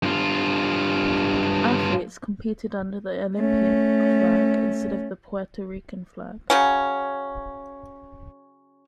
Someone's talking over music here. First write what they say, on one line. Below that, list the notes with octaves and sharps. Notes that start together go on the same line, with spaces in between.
Athletes competed under the Olympic Flag instead of Puerto Rican flag.
G2 F4
A3 C#4
C#3 F#3 C#4